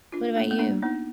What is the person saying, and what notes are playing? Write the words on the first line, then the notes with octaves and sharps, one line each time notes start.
What about you?
D4 F4
A#3 D4
B3
A#3 D4
B3 D#4